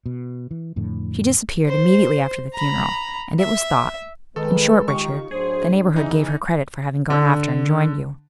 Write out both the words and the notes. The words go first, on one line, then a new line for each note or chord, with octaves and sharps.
"She disappeared immediately after the funeral; and it was thought--in short, Richard, the neighborhood gave her credit for having gone after and joined you."
B2
E3
F2 A2 D3
C5
A#5 B5
E5
D#3 G#3 A4 B4
D#3 D#4 F4 G4 C#6
A2 F#3 D4 G#4 C5
E2 E3 D#4
D3